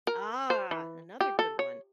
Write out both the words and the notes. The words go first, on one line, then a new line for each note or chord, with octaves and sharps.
Ah, another good one.
A#4
C5
E3
G4
A4
C#5